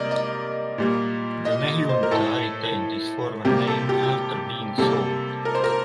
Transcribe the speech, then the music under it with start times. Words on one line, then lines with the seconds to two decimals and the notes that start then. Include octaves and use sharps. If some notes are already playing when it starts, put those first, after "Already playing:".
The "Nahunta" retained its former name after being sold.
Already playing: C3 G3 A#3 A#4 D5 D#5
0.11 D#5
0.78 A#2 G3 A#3
1.45 D#5
1.89 C5
2.03 A#4
2.11 A2 A3 A4
3.45 C3 G3 A#3 G4
3.67 A4
3.89 G4
4.03 G4
4.78 C3 G3 A#3 A4
5.45 A#4
5.55 C5
5.64 A#4